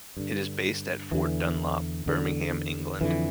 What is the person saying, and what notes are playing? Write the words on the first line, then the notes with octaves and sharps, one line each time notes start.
It is based at Fort Dunlop, Birmingham, England.
G2 D3
E2 D3 E3
E2 D3
F2 D3 E3